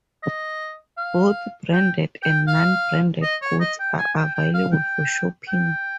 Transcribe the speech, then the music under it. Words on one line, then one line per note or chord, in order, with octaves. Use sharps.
Both branded and non-branded goods are available for shopping.
D#5
F5
G5
G5
F5
D#5
C#5
D#5
G5
G#5
G5
G5
F5
G5
G5